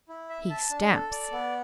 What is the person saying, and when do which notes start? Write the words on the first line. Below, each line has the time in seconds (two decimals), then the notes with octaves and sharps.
He stamps.
0.09 E4
0.30 E5
0.50 A5
0.70 D4
0.91 A4
1.11 D5
1.33 B3